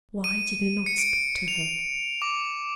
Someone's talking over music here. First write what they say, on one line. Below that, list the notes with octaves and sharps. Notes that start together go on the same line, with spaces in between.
Why did he not speak to her?
D#7
C#7
D7
F7
D6